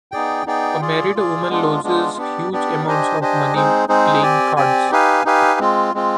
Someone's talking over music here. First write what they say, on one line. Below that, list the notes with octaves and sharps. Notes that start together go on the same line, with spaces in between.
A married woman loses huge amounts of money playing cards.
B3 D#4 G#4 D5 G5
B3 D#4 G#4 D5 G5
F4 G#4 D5
F4 G#4 D5
G#3 B3 D4 F4
G#3 B3 D4 F4
B3 D4 G4 D5
B3 D4 G4 D5
D4 G4 C5 D#5 G#5
D4 G4 C5 D#5 G#5
G#3 C4 D#4 G#4 C5
G#3 C4 D#4 G#4 C5
C4 G4 D5 G#5
C4 G4 D5 G#5
D#4 G4 B4 F5 G#5
D#4 G4 B4 F5 G#5
G#3 C4 F4
G#3 C4 F4